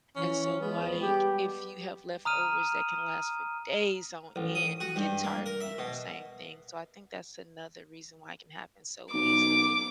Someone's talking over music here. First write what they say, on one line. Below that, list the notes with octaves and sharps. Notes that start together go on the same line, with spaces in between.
And so, like, if you have leftovers that can last for days on end, you get tired of eating the same thing. So I think that's another reason why it can happen so easily if you
E3 C#4
G#3 B3
G3 G4
A#5 D#6 F6 D#7
A1
D#6
F#4
G2
A#3
A#4
E5
B2
B1 D6